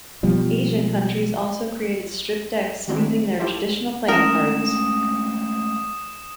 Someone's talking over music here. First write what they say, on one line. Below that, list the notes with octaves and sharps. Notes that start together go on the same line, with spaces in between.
Asian countries also created stripped decks using their traditional playing cards.
B2 F3 G3
D#3 F#3 G#3 C4 D4 E4
E4 F4 G4 A4 C5 E5
G#3 A3 C#4 A#4 D#6 E7